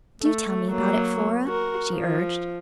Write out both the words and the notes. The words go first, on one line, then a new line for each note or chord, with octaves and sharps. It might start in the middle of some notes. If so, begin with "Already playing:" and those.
"Do tell me about it, Flora," she urged.
A3
F#3 A#3
F#4 A#4
F3